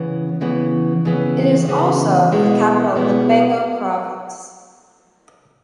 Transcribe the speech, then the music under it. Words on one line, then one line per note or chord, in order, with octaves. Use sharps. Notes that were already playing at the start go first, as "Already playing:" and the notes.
It is also the capital of the Bengo province.
Already playing: C#3 E3 B3
C#3 E3 B3
C#3 E3 B3
C#3 E3 B3
B2 G#3 B3 E4
B2 G#3 B3 E4